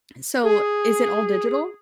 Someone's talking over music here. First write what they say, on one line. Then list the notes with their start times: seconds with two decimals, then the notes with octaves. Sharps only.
Eh, so, is it all digital?
0.44 G#4